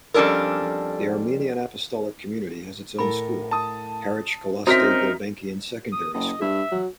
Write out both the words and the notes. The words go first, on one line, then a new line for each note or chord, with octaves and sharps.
The Armenian Apostolic community has its own school, Haratch Calouste Gulbenkian Secondary School.
F2 G3 C#4 D4 A4 A#4
A2 A4 A#4 B5
A5 D#6
C4 C#4 D#4 F#4 A#4 E5 B6
D#6
F#1 D#5
G2 E5
F#3